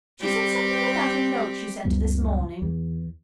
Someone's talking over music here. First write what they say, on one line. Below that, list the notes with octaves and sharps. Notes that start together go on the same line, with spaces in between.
She said something about a note you sent her this morning.
G3 C4 G4
C#2 F#2 G3 B3
E2